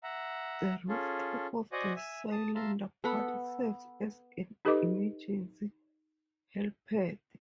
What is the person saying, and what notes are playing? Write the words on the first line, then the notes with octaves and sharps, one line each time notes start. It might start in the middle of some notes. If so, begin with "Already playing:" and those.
The rooftop of the cylinder part serves as an emergency helipad.
E5 F#5 A#5
C#4 F4 G#4 A4
F#4 C5 D5 D#5 F#5 G#5
E5 G#5
A5 D#6
E5 F5 A5 A#5 C6
B3 A4 F#5 B5
D#4 G4 A4 B4 D#5 D6